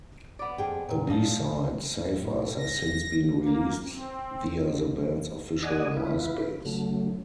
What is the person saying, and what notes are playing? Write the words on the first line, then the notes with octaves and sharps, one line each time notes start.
A B-side, "Save Us", has since been released via the band's official Myspace.
B3 D5
F2 G#4 G5
A#2
F3 D#5
A2
A#6
A#3
C4
D5 D#5 F#5 G#5 D#6
E4 F4 B4
C#3 F#3 A3